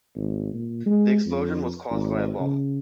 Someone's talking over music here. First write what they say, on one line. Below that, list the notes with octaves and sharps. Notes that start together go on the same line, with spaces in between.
The explosion was caused by a bomb.
G#1
A#2
G#3
F2
G#1
C#3